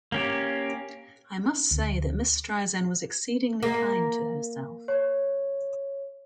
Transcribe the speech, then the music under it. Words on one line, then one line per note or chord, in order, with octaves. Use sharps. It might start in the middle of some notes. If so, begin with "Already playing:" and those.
I must say that Miss Streisand was exceedingly kind to herself.
A#3 C#4 G4
D2
A#3
C#5